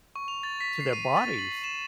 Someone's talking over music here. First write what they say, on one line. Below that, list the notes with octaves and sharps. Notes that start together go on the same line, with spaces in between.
to their bodies?
C#6
F7
A6
B6
C7
D#7
A6
F#7
E7